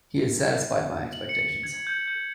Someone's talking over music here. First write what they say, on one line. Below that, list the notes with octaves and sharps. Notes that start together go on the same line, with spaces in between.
He has satisfied my expectations.
F#7
C#7
G#6
G6
G6